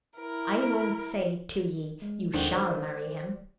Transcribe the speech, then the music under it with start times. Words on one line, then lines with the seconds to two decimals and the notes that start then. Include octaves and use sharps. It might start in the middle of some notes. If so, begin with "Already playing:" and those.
I won't say to ye, you SHALL marry him.
0.18 E4 A#4
2.02 G#3
2.33 D#2 G#2 D3 D#3
2.48 C5 D5